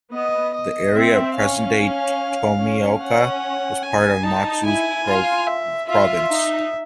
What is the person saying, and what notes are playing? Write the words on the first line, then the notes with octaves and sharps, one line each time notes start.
The area of present-day Tomioka was part of Mutsu Province.
B3 D#5
D#5
C4 E5
C#4 F5
C#4
C#4
C#4 F#5
G#5
D#4 A5
E4 G#5
F4
E5
F4 E5
D#4